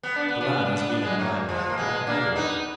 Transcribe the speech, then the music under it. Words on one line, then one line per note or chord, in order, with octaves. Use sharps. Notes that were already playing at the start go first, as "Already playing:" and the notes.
The lands, being a minor, he could not meddle with.
B3
D4
B3
D4
B3
D4
B3
D4
G#3 B3
F#3 A#3
F3 G#3
A#3
G#3 B3
A#3 D4
B3 D#4